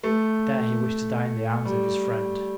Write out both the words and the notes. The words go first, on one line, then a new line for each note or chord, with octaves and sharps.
There he wished to die in the arms of his friend.
A3
G3